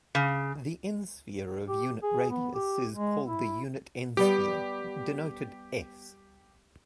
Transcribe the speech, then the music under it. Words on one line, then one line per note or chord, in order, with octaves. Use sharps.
The "n"-sphere of unit radius is called the unit "n"-sphere, denoted "S".
C#3
G4
G#4
B3
G4
G#3
E4
G3 B3 G4 G5